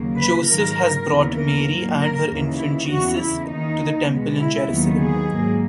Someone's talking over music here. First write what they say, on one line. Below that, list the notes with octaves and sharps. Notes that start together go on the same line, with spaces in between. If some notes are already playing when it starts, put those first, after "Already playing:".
Joseph has brought Mary and her infant Jesus to the temple in Jerusalem.
Already playing: D#2 C#3 F#3 A#3
B4
G#2 D#3 F#3 A#3 A#4
D#2 C#3 E3 B3
A#4
G#2 F#3 A#3
A#4
D#2 C#3 E3 A#3
E4
E2 C#3 E3 F#4
E4
D#2 D#3 A#3 D#4
B2 G#3 B3
E4
D#2 D#3 F#3 B3
G#4
G#2 F#3 A#3